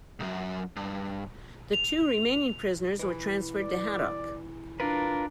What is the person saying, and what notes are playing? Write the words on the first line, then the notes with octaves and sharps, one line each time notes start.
The two remaining prisoners were transferred to "Haddock".
B1 F#2
G2
F7
E3
D5
D4 F4 A#4 B4 A#5